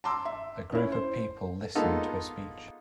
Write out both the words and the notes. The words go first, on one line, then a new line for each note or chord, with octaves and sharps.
A group of people listen to a speech.
A5 A#5 C6 D6 E6
E5
C#4 E4
C5
G#3 A#3 B3 D#4 F4 A4